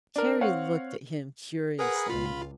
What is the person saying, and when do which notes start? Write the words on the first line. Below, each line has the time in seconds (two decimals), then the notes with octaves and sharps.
Carrie looked at him curiously.
0.16 D4 A#4
0.41 C4 C#5 F5 F#5
1.79 G#4 A#4 B4 F#5
2.10 C#2 F4 B5